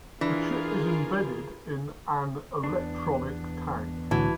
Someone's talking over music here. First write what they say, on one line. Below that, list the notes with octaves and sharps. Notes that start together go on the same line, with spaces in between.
The chip is embedded in an electronic tag.
E3 D4 F4 G#4 A#4
E2 B3 D4
C2 A2 D3 E3 F#4 A5